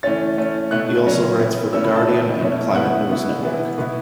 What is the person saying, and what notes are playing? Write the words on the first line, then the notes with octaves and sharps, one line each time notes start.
He also writes for "The Guardian" and Climate News Network.
E3 A3 C#4 A6
E3 A3 C#4
B2 A3 E4 F#6
C#3 F#3 C#4 E4
A2 E3 B3 E4
C#3 A3 C#4 E4 E6
B5
A5
E3 B3 E4
B2 A3 C#4 E4
B2 B3 E4 F#5
B2 B3 E4
E3 B3 E4
B2 B3 E4